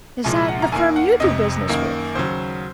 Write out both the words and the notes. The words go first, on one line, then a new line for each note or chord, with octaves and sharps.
"Is that the firm you do business with?"
C2 A#2 F3 G#3 G#5
F#5
A#5
D#2 D#3 A#3 G#5
F#5
F1 F2 C3 D#5
F#2 D#3 A#3
D#2 C#3 F#3 C5